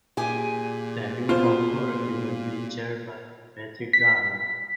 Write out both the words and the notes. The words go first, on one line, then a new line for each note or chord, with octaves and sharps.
The new authority will be chaired by Patrick Garnett.
A#2 G4 G#4 G#5
B2 F4 C5
B6